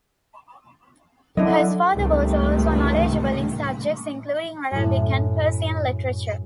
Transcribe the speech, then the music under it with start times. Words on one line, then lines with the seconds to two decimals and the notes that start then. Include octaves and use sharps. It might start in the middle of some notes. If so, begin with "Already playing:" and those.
His father also was knowledgeable in subjects including Arabic and Persian literature.
1.37 D3 F#3 D4 E4 D#5
1.94 C#2 G#2 C3 D#3 G3 A3
4.71 F#2 A2